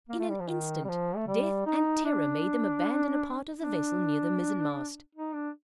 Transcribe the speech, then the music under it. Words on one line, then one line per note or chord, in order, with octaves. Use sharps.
In an instant, death and terror made them abandon a part of the vessel near the mizen-mast.
A#3
A3
G3
F3
D#3
G3
F3
A3
G3
D#4
D4
D4
D#4
D4